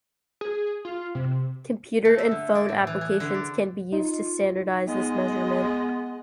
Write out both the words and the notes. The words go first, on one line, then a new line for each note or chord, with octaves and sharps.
Computer and phone applications can be used to standardize this measurement.
G#4
F4
C3
A3
E5
D3
D5
A2
E3
G#4
D3
D5
D#4 F4
G#3 B3 D#5